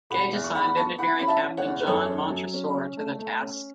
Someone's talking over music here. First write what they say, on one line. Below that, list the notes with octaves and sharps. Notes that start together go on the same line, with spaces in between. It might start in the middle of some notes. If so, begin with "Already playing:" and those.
Gage assigned Engineering Captain John Montresor to the task.
E1 F#5 B5
E2
C#6
E2 F#5 B5
B5
B3 A5 C#6
E3 F#5 B5
C#4 B5
E5 A5
E3
C#5 F#5
E2
B4
F#2 A4 C#5
C#4
F#3
C#4
C#4
A3
A3
C#4